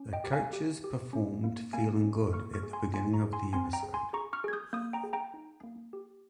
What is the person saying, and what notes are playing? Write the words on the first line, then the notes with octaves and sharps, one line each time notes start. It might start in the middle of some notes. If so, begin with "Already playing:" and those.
The coaches performed "Feeling Good" at the beginning of the episode.
Already playing: C#4
D#5 G5
G4
F5 G#5
G4
G4
C#4
A#3
A#3 F5 G#5
C#4
A#3 C#6 F6
C#6 F6
G#4
G#5 C6
A#3 G#5 C6
A#5 C#6
G#4
G#5 C6
C4 G#5 C6
G5 A#5
G#4
G#5 C6
G#4 A#5 C#6
C#6 F6
G#4 G#6
D#6 G6
A#3 D#6 G6
G5 A#5
G#4
G5 A#5
D#4
A#3
G4